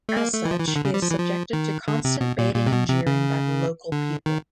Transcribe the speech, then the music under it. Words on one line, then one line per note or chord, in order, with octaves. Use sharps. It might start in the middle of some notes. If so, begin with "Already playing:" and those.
As such, he is subjected to constant baiting and jeering by the local people.
A3
A#3
A3
E3
F3
E3
D#3
D3
C#3
G3
F3
E3
F3
D#3
D3
C3
B2
A#2
A#2
C3
B2
C3
C#3
D3
D#3